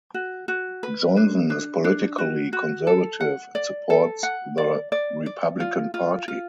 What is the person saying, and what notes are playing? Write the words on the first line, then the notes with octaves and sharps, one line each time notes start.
Johnson is politically conservative and supports the Republican Party.
F#4
F#4
B4
D4
D4
D4
F#4
F#4
A4
F#5
D5
A4
F#5
D5
D5
D5
F4
F4
F4